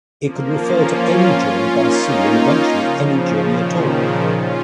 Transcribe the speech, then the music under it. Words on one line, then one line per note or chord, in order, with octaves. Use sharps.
It could refer to any journey by sea and eventually any journey at all.
F3 A#3
C#4 F4
C#4 F4
A#3 D#4
C#3 F3
A#2 D#3
C#4 F4